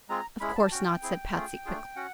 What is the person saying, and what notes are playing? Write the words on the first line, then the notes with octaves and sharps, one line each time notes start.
"Of course not," said Patsy, quickly.
G#3 C4 F4 G#4 A#5
G#3 C#4 E4 G#4 B5
A5
C#4 F#4 G5
C4 E4 G#4
A3 C#4 F4 G#4
A3 D4 F4 G#4
C#4 F#4 F#5